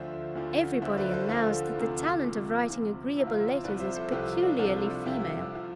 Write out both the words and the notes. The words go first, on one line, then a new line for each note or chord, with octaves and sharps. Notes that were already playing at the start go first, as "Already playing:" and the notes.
Everybody allows that the talent of writing agreeable letters is peculiarly female.
Already playing: D2 D3 F3 C5 E5
D2 D3 F3
D2 D3 F3 C5 E5
B4 D5
A4 C5
D2 D3 F3 F4 A4
D2 C3 F3
D2 C3 F3
D2 C3 F3
D2 C3 F3 E4
F4
C4 E4
C2 C3 F3 B4 D5
C5 E5
A4 C5
C2 C3 F3 G4 B4
D4 F4
C2 C3 F3 F4 A4
C2 C3 F3 E4 G4
F3